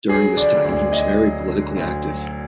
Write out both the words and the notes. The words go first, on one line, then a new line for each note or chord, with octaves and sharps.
During this time he was very politically active.
F#3 G#4
D3 D5
D2 D5
D2 D#5
F#3
D3
D2
F#3